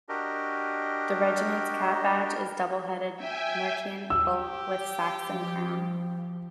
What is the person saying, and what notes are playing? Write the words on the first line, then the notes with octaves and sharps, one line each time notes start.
The regiment's cap badge is a double headed Mercian Eagle with Saxon crown.
D4 F#4 G4 A#4 D#5
E5 G5 G#5
G4 E6
F3